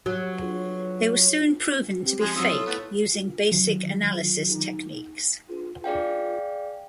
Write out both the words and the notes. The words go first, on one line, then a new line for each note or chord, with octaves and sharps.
They were soon proven to be fake using basic analysis techniques.
F#3
C4 G4
F3 G#3 G#4
F#3 C4 F4 D#6 E6
E4 A4 C#5
A3 B3
D#3 F#3
G#4 D5 F5 G5